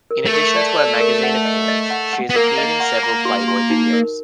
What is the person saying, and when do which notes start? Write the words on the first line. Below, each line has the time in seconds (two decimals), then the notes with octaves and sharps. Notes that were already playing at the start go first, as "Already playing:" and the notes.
In addition to her magazine appearance she has appeared in several "Playboy" videos.
0.11 A#4
0.25 A3
0.33 A#4
0.56 D5
0.78 D5
1.00 A#4
1.23 F#5
1.45 D#5
1.68 D#5
1.90 F#5
2.13 F#5
2.30 B3
2.36 A#3 A#4
2.58 D#5
2.80 F#5
3.03 A#5
3.25 F#4
3.48 F#4
3.70 D#4
3.93 A#4